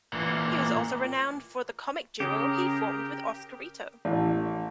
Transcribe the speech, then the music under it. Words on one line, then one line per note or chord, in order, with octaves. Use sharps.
He was also renowned for the comic duo he formed with Oscarito.
A#2 E3
C#3 G4 G#4 A#4 A#5
A1